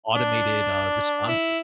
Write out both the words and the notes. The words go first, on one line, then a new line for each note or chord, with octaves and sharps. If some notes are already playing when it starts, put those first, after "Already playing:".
automated, uh, responses,"
D4
E4